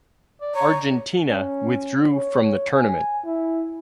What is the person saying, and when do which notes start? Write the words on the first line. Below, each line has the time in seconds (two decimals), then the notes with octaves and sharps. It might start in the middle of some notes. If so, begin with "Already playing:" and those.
Argentina withdrew from the tournament.
0.41 D5
0.55 C#5 A#5
1.27 C#4
2.11 C#5
2.75 G#5
3.25 E4